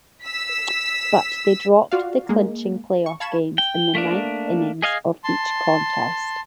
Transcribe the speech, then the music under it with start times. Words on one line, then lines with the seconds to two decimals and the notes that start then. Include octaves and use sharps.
But they dropped the clinching playoff games in the ninth innings of each contest.
0.23 E6 B6
1.92 F4 F#4 D5 F5
2.29 G#3 A#3
3.06 C#6
3.20 F5 A5 B5 C#6 G#6 E7
3.58 G5
3.95 A3 A#3 D4
4.82 G#4 D#5 F5 G#5
5.24 A5 C6